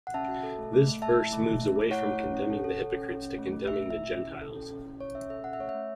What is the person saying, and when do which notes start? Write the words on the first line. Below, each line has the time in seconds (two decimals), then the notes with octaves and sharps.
This verse moves away from condemning the hypocrites to condemning the Gentiles.
0.07 F#5
0.14 C#4 E5 A5
0.28 F#4
0.43 A4
0.58 A3
0.73 A3
0.88 A3
1.02 A3 E5 A5
1.17 E4
1.33 A3
1.46 A3
1.61 A3
1.76 A3
1.90 E4 C#5 F#5
2.06 A3
2.20 E4
2.35 C#4
2.50 A4
2.64 A4
2.80 A4
2.94 C#4
3.08 C#4
3.23 C#4
3.38 A3
3.52 A3
3.67 A3 E5
3.82 A3
3.90 E5
3.97 E4
4.12 C#4
4.27 E4
4.42 A4
4.56 C#4
4.71 C#4
4.85 E4
5.00 C#4 C#5
5.15 C#4 E5
5.30 A4 E5
5.44 C#4 F#5
5.53 E5
5.59 A3 C#5
5.69 E5
5.75 A3